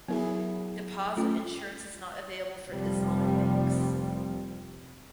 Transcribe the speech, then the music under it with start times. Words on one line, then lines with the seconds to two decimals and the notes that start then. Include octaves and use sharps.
Deposit insurance is not available for Islamic banks.
0.08 F#3 B3 E4 G#4 A#4
1.17 A3 C#4 F4
2.68 F1 C3 F3 G3